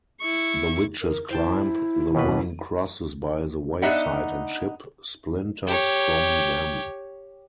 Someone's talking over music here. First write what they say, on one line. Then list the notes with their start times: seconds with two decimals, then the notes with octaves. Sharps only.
The witches climb the wooden crosses by the wayside and chip splinters from them.
0.21 E4 C#6
1.02 A#4
1.31 E4 C5 G5 A5
2.15 D#2 B2 B4
3.82 B3 D4 D#4 E5 F#5
5.67 G4 C#5